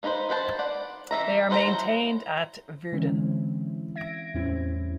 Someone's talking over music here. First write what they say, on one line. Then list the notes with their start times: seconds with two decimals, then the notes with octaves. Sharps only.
They are maintained at Yverdon.
0.03 A#3 D#4 G#4 B4 C5
0.29 D#3 B4 C5 A5
0.59 D5 F#5
1.11 E3 E5 A#5
1.50 D#4 B4 C5 A5 A#5
1.66 F#3 E4
2.93 D3 E3 G#3 C4 C#4 E4
3.96 E5 G#6 A#6 D7
4.34 E2 A2 G3 C4 C#4 E4